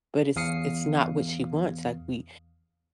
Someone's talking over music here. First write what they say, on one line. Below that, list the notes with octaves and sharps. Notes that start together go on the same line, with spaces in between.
but it's it's not what she wants, like, we
E2 F5 D#6 C7 C#7